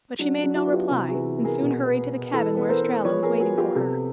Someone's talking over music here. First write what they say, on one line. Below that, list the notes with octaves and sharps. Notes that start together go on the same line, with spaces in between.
But she made no reply, and soon hurried to the cabin where Estralla was waiting for her.
F#3 D4
D4
F#3
E4 F#4
B3
F4 G4
C3 E4 F#4
F#4 G#4
E3
B3
G#4 A#4
B2
B3
B3
E3 A4 B4
B3
A#4 C5
B3
F3 B4 C#5
G#4 A#4
B3
F#4 G#4
B3
F4 G4
C3 G4 A4